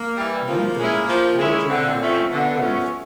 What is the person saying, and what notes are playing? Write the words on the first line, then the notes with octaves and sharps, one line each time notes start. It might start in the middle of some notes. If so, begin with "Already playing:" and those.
Lutherans also have an acclamation.
Already playing: A#3
E3 G3
F3 A#3
G#3 C#4 E4
F3
G#3 C#4 E4
D3 C4
F3 A3 C#4
D3 B3
F3 A3 C#4